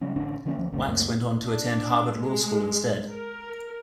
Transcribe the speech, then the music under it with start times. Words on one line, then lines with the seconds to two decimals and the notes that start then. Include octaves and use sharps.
Wax went on to attend Harvard Law School instead.
0.01 C#3 F#3 G3 C#4
0.16 A1 D3 C#4 D4
0.45 D3 F3 A#3 C#4
0.57 D2 F3
0.72 G1 C#2 A3 C#4
0.87 C#2 F#2 A3 A#3
1.43 D4
2.18 G#3
3.12 A#4